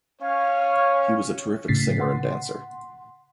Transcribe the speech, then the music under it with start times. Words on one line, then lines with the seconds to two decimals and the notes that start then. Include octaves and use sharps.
He was a terrific singer and dancer.
0.21 C#4 C#5 F5
1.68 A2 C#3 A6 B6 C7
2.00 F#5 C6